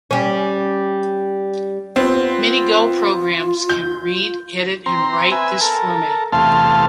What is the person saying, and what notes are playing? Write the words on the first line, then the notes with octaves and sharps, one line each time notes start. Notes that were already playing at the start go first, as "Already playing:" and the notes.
Many Go programs can read, edit, and write this format.
G3 C#4
B3 C4 F4
G6
C4 A#5 C6
B4 E5 G#5
A4 A#4
E2 C3 A3 F5 A5 C6